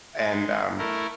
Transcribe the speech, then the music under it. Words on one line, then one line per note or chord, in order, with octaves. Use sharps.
and, um
G#3
A3 E4 A#4